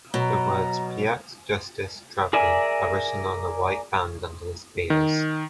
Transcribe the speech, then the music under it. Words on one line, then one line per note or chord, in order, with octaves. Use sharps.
The words "Paix, Justice, Travail" are written on a white band under the spears.
B2 F#3 A#5
G#4 A#4 D5 E5 G#5
D#3